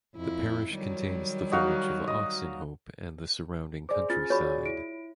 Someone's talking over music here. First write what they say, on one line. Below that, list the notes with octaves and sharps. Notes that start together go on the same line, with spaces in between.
The parish contains the village of Oxenhope and the surrounding countryside.
F2 E4
D#3 F#3 G3
D#4 F#4 F5
D#5
G#4 C5 D5 D6
C#4 F4 G#4 F6 A6
F#4 G#4 C#5 D5 B5
E4 D7